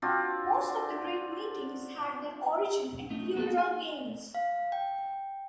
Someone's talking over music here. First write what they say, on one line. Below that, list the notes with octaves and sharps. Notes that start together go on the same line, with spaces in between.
Most of the great meetings had their origin in funeral games.
C4 D4 F4 F#4
A3 C#4 D#4
A#3 B3 F4 G#4 A4
G#5
F5
G5